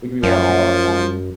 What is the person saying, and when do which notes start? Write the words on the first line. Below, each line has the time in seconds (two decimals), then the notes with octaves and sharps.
We could be watching our on
0.23 F#2 F3